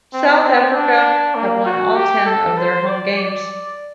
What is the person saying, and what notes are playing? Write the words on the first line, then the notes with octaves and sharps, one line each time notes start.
South Africa have won all ten of their home games.
C4
C4
D4
A#3
F#4
G4
A4
C5
D5
D5